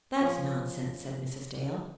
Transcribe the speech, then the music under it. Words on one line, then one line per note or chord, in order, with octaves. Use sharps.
"That's nonsense," said Mrs. Dale.
F3 C#4 G#4